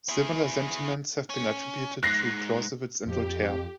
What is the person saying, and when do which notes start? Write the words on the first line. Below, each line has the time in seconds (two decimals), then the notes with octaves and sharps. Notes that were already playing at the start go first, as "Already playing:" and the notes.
Similar sentiments have been attributed to Clausewitz and Voltaire.
0.09 E4 G#4
1.30 C#4
2.03 F2 G#2 F#6 A#6 C7
3.06 F2 G4